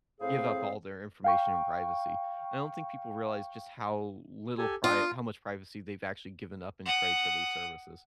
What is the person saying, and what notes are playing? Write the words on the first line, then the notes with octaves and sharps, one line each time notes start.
give up all their information and privacy. I don't think people realize just how little pri how much privacy they've actually given up in trade for these services.
A2 C4 G#4 C5 F5
F5 G5 C#6
G4 A4 G#5
D4 F4 C6 D#6
F#5 D#6